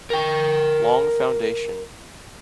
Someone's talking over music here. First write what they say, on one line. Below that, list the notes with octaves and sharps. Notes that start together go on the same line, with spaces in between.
Long Foundation.
A#4 G5